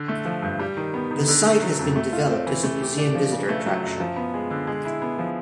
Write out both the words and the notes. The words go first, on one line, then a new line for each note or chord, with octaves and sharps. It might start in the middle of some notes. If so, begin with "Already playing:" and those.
The site has been developed as a museum visitor attraction.
Already playing: D3
A3
F3
G2
G3
D#3
B3
D#3
D3
A3
F#3
F2
A3
F4
C4
E3
A3
G4
D4
F3
C#3
A3
F#3
F#2
F3
B3
G#3
D3
G#3
E4
B3
F3